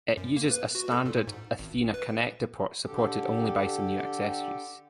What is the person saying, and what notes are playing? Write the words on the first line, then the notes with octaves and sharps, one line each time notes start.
It uses a standard Athena Connector port supported only by some new accessories.
F#2
A#3
B4
F#4
A4
A#2
G#2
G#1
B4
D3 G4 A4